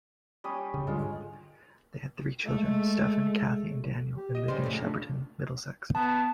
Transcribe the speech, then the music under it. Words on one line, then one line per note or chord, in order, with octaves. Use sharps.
They had three children, Stephen, Cathy and Daniel, and lived in Shepperton, Middlesex.
G3 C#4 D#6
C#3
G#2 D3 G3 G#3 F4
G#3 A3
G4
D#5
C#3 G3 C#4 C5
F2 A#2 A3
D4
B3 A5